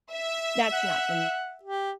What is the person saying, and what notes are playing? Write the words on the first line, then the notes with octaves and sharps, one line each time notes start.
that's not for
E5
F#5
G4